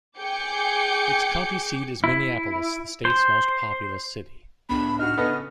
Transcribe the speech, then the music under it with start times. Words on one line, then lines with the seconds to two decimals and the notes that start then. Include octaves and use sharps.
Its county seat is Minneapolis, the state's most populous city.
0.18 G#4 G5 D6 G6 C#7
2.04 E4
3.05 C5
4.69 C#2 A2 B3 D4 B5
4.99 D#4 F#4 F6
5.18 C#3 B3 C#4 A4 D#5